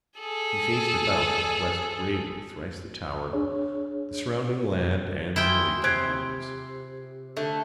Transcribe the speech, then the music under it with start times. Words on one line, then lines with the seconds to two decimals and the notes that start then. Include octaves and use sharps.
He faced about and blessed gravely thrice the tower, the surrounding land and the awaking mountains.
0.20 G#4 A4
3.33 D4 G#4 C#5
5.36 E4 F4 G#4 G5
5.84 C3 C5 F#6 G#6 D7
7.37 D3 A3